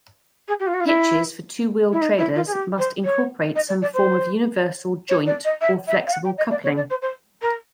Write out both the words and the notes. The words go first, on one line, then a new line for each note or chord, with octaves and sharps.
Hitches for two-wheel trailers must incorporate some form of universal joint or flexible coupling.
G#4
G4
F4
F#4
F4
E4
E4
D#4
E4
F4
G#4
G4
C5
C#5
D#5
D5
D5
C5
C#5
D5
D#5
E5
E5
F5
F#5
G5
D#5
D5
C#5
D5
C5
C5
A#4